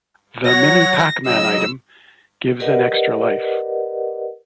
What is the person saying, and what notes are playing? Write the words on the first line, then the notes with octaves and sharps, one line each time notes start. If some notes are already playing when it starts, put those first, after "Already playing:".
The mini Pac-Man item gives an extra life.
F#3 C#5 F#5 A#6
C#3 F#3 D#5 E6
G4 A#4 B4 D5 D#5 F#5